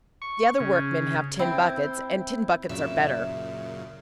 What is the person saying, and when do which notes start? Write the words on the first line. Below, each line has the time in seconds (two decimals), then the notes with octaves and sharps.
The other workmen have tin buckets, and tin buckets are better.
0.22 C#6
0.60 C#3
1.39 C4 E4 G5
2.69 F#2 A#2 C#3 E5